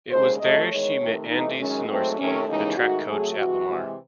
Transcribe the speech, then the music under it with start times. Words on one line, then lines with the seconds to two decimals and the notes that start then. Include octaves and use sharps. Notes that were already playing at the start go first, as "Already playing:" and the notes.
It was there she met Andy Senorski, the track coach at Lamar.
0.10 D#2 C#3 G#3 C5
0.40 C3 F#3 A3 D#5
0.69 E2 D#3 G#3 C#5
1.00 C3 D#3 A3
1.29 C3 E3 A3 D#4
1.59 F#2 D#3 G#3 C#4
1.89 G#2 F#3 A3 C4
2.19 C3 D#3 A3 C#4
2.48 D#2 C#3 E3 G#3 D#4
2.78 G#2 D#3 A3 F#4
3.08 C3 F#3 A3 G#4
3.37 C3 E3 G#3 F#4
3.67 C3 E3 G#3